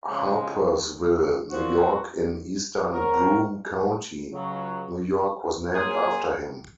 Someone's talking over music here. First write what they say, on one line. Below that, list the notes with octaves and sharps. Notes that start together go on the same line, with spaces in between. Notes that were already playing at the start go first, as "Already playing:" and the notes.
Harpursville, New York in Eastern Broome County, New York was named after him.
C#3 F3 G#3 C4
A#2 F3 C4 F#4
G#2 F#3 C4 F#4 A#4
C#2 C#3 F#3
G#2 F#3 A#3 F4 G#4